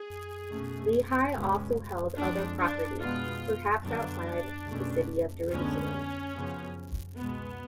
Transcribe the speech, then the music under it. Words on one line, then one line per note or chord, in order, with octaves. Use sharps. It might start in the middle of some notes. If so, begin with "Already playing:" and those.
Lehi also held other property, perhaps outside the city of Jerusalem.
Already playing: G#4
B2 A3 C#4
C#2 B2 G#3 C#4
F2 F3 G#3 D4
D4
B2 G#3 B3 F4
F#2 D3 F#3 B3 D4
C#2 B2 A3 C#4
D2 D3 G#3 B3 C#4
F#2 C#3 F3 B3
C#2 B2 G#3 B3